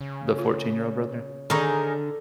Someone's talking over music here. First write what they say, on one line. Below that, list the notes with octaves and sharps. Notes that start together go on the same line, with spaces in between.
the fourteen-year-old brother?
C#3
F4
D3 D#3 D#4 G#4 A#4 C#6